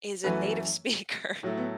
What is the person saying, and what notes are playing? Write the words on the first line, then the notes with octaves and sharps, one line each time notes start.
is a native speaker
F#2 E3 A3 F#4 B4
A2 F#3 A3
B3